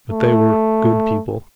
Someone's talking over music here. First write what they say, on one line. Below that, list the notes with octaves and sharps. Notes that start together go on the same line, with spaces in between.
But they were "good people".
A3